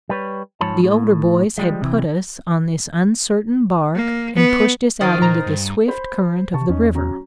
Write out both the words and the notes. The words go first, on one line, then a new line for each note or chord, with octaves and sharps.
The older boys had put us on this uncertain bark and pushed us out into the swift current of the river.
G3 B4 C#5
G#2 F3 C#5 A5 B5
A2
F3 G3 G#3
C3 E3
A#3
B3
D#3 C5 F#5 A5 A6 C7
A#2 A#5
G2
C5 B5 G6
C3 A5 C#6
E2 C#4 D#4
F#3 C#4 A#5